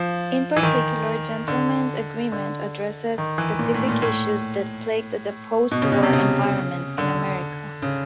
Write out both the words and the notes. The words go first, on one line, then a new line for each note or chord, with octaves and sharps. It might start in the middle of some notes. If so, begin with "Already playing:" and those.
In particular "Gentleman's Agreement" addresses specific issues that plagued the postwar environment in America.
Already playing: F3
E3
D#3
D3
D3
D#3
E3
A#2
A2
A#2
A2
B2
C#3
B2
C3
C#3
D3
C#3